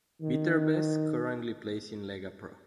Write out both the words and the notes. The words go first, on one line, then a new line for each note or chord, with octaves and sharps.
Viterbese currently plays in Lega Pro.
D#3